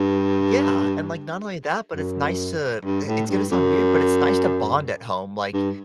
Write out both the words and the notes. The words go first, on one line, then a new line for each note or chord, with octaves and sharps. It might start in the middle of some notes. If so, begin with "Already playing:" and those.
Yeah, and, like, not only that, but it's nice to, eh, it's gonna sound weird, but it's nice to bond at home. Like,
Already playing: G2
F#2
G2
A2
G2
F#2
G2